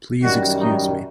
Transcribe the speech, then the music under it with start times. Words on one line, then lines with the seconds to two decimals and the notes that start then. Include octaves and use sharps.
Please excuse me.
0.23 F#2 D#3 G3 F#4
0.61 D#4